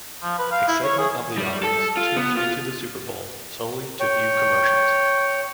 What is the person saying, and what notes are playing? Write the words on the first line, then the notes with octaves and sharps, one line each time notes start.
A segment of the audience tunes into the Super Bowl solely to view commercials.
F3
B4
F5
E4
C#5
G#4
G3
A4
F4
B3
F4
C#5 G5